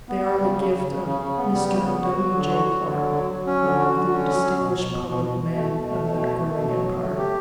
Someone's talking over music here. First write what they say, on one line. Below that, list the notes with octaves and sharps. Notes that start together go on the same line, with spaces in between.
They are the gift of Mr. W. J. Clark, one of the distinguished public men of that growing empire.
B3
G3
C#3
C#3
C#3
C#3
C#3
C#3
B3
G3
C#3
B3
F#4
F#3
D3
F#4
F#3
D3
F#3
F#3
F#3
C#4
D3
F#4
D3
C#4
F#3
F#3
B2
B2
B2
B2
B2
B2
A3
B2
A3
B2
A3
A3
B2
F#3
F#3
A3
G4